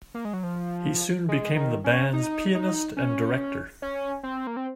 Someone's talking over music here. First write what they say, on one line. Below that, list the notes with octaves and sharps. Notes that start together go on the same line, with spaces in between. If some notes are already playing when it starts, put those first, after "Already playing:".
He soon became the band's pianist and director.
A#3
G#3
F#3
F3
G#3
D#3
C#4
D#4
D#4
C#4
C#4
C4
A#3
C4